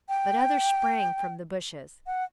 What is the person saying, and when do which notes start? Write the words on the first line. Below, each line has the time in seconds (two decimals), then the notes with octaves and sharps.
But others sprang from the bushes.
0.09 G5
2.07 F#5